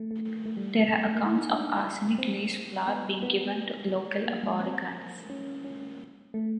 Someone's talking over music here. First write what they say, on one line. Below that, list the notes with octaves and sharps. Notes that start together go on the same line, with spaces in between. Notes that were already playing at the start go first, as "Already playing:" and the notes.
There are accounts of arsenic laced flour being given to local aborigines.
Already playing: A3
A3
A3
G3
A3
A3
A#3
E4
D#4
D4
C4
B3
B3
A#3
G#3
C4
C#4
C#4
A3